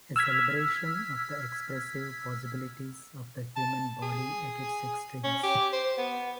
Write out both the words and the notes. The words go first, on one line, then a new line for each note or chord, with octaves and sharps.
A celebration of the expressive possibilities of the human body at its extremes.
E6 F6 G#6 B6
A5
G#4
C#4
G4
C5
B3